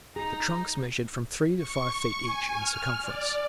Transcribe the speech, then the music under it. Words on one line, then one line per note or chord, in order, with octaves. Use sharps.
The trunks measured from three to five feet each in circumference.
D#4 G#4 A#5
C#6
G#5
F6
D5